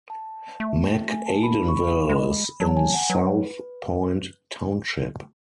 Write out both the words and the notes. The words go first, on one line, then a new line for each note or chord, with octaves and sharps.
McAdenville is in South Point Township.
A5
A3
G#5
A5
B5
B5
C#6
B5
G#3
F#3 A5
G#5
F#5
F#3 B4